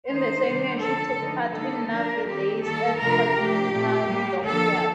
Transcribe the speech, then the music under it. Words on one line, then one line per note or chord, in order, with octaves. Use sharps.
In the same year she took part in Navy Days at Portsmouth Dockyard.
D#3 A3 D#4 C5
C3 D#3 G3 D4
D3 F3 A#3 A4
D3 F3 A3 D#4
D3 G3 A#3 D#4 A4
F3 A#3 D4 A#4
D#3 G3 C4 G4
D#3 G3 A#3 A4
C3 F3 A3 D4 F4 A#4
C3 F3 A3 D4 G4
A#2 A3 C4
A2 G3 A#3
D3 F3 A#3 A4